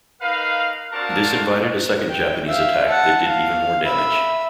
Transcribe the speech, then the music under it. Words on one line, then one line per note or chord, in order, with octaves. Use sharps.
This invited a second Japanese attack that did even more damage.
D#4 A#4 B4 F5
C4 D4 F#4 A#4 F5 A5
G5
E5 F5
F#5 A5
F5
E5 B5